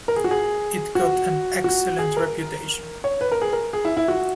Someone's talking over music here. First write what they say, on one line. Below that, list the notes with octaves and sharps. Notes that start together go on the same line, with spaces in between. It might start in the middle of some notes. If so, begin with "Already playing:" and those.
It got an excellent reputation.
A#4
G#4
F#4
G#4
F#4
F#4
G#4
A#4
C#5
B4
A#4
G#4
A#4
G#4
E4
E4
F#4